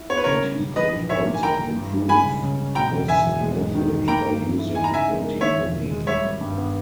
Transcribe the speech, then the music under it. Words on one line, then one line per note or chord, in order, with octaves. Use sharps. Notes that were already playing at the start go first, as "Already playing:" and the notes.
And he could also improve this method by using antimony.
Already playing: E4
B3 C#5
B4
C#3 A#4 C#5
G3
C#3
E3 B4 D#5
A#1
G#2 C#5 E5
A#3
G#5
E3 G5 A#5
G1
G2
G3
G#3 G#5 B5
C#2
C#3
C#4
B2 G5 A#5
E1
E2 E5 G#5
E1
G#3
G#2
D#3
G#2
A#3 G5 A#5
G2
E3
E4
D#4 G#5
A#5
C#3 E5 G#5
G#3
A#4
D#3 C#5 E5
E1
D#2
G#3
G3 C#5 E5
G#1
G2
B3